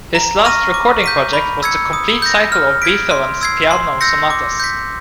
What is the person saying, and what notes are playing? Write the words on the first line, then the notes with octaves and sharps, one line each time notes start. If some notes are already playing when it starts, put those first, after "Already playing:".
His last recording project was the complete cycle of Beethoven's Piano Sonatas.
A#5
C#6 F6 A#6 D#7
D6
G6 B6 D#7
B5
E6 G#6 C#7
D#6
G6 A#6
F6
G#6 B6 D7
C6
E6 G#6 C7
C6
E6 G6 A#6 C#7
D6
G6 B6